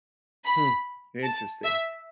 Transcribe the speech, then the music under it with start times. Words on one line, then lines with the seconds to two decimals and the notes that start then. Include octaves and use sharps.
Hmm. Interesting.
0.45 B5
1.24 A5
1.64 E5